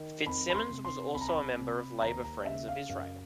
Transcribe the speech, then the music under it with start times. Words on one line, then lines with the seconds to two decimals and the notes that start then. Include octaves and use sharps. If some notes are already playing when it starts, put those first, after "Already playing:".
Fitzsimons was also a member of Labour Friends of Israel.
Already playing: D#3
0.26 F2 B5
0.50 B5
0.55 C6
0.70 C3
0.85 C6
1.14 C2 B5
1.21 A#5
1.29 B5
1.58 C3
2.02 D#2 A#5
2.24 A#5
2.45 C#3 E5
2.68 F5
2.89 F#2 F5